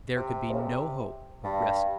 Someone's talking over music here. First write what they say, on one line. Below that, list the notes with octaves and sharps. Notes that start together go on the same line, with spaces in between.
There could be no hope of rescue.
C3
C#3
C3
G2